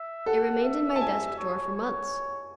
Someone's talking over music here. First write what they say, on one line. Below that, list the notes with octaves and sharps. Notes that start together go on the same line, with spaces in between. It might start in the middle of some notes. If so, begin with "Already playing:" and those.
It remained in my desk-drawer for months.
Already playing: E5
A4 F#5
E5
A5
G#5
C#5
C#5